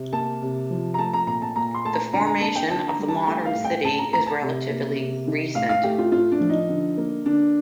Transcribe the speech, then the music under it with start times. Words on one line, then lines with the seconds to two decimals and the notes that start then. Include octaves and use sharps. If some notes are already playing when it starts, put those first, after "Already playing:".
The formation of the modern city is relatively recent.
Already playing: C3
0.13 A#3 A5
0.42 C3
0.70 F3
0.94 A#5
0.98 A3 A5
1.13 A#5
1.27 A#2 A#5
1.42 A5
1.56 A#2 A#5
1.75 C6
1.85 A3 A5
1.93 A#5
2.13 D3 A#5
2.27 A#5
2.41 A#3 A5
2.56 G5
2.70 D3 A5
2.88 A#5
2.99 G3
3.08 A5
3.26 A3 G5
3.45 F5
3.55 A2
3.64 G5
3.84 A2 A5
3.99 A#5
4.13 A3 A#5
4.26 A5
4.42 C3
4.70 A#3
4.98 C3
5.27 D#3
5.55 A2 F5
5.69 F5
5.83 A3 G4
5.99 F4
6.12 A2 F4
6.32 D4
6.41 F3
6.50 D#4
6.69 D3
6.98 A#3
7.26 D3 D4